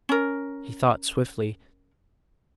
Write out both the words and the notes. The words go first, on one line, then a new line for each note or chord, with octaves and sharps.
He thought swiftly.
C#4 A#4